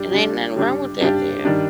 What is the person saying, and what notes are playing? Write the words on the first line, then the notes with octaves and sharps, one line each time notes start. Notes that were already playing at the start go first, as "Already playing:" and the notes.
And ain't nothing wrong with that there.
Already playing: G3 D4 G4
G3 D4 G4
G3 D4 G4
G3 D4 G4
D#3 G3 D4